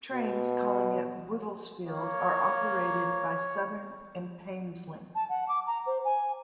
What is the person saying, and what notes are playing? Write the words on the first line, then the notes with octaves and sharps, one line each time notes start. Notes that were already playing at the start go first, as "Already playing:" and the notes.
Trains calling at Wivelsfield are operated by Southern and Thameslink.
B2
A#3 C#5
A5
F#5
D6
A#5
C5
G#5